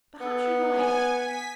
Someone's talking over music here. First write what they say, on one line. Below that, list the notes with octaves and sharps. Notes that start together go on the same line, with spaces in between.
Perhaps you're right.
B3
G#5
B6